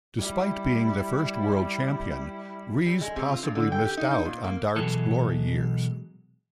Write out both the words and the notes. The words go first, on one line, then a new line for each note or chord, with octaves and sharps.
Despite being the first world champion, Rees possibly missed out on darts' glory years.
G3 E4
G3
G#3
C3
F4
G2
D3
G5
G4
D#4
D#4
A#2
A#3
B2 E3 F#3 G#3 G#4 A4